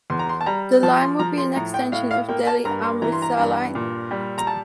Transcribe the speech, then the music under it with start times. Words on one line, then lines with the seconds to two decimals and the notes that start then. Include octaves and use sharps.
The line will be an extension of Delhi–Amritsar line.
0.10 E2 C6
0.19 A#5
0.29 C6
0.41 A5
0.46 G3 A#5
0.83 F3 A5
1.01 C6
1.19 F3 A#5
1.37 C6
1.56 A2 A#5
1.74 G5
1.92 A2 F5
2.11 F5
2.29 A#3 G5
2.47 A5
2.65 G2 A#5
2.83 C6
3.02 E3 A#5
3.12 C6
3.22 A#5
3.38 G2
3.75 A#2
4.11 G3
4.38 A#5
4.47 A5